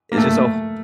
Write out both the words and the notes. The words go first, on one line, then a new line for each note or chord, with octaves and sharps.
it's just a wh
A#3
A3